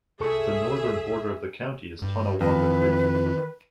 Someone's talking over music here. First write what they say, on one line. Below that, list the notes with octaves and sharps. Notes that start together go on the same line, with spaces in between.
The northern border of the county is Tonawanda Creek.
C2 G#4 A4 E5 C#6
G2
F2 D#3 E3 B4